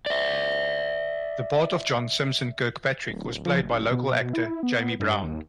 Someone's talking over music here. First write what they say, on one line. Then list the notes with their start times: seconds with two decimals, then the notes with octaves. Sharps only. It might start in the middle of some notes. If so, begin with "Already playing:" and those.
The part of John Simpson Kirkpatrick was played by local actor Jamie Brown.
0.06 D5 E5
3.09 D1
3.45 F3
3.61 F#1
3.91 B2
4.33 E4
4.63 B3
5.00 G2
5.23 D#2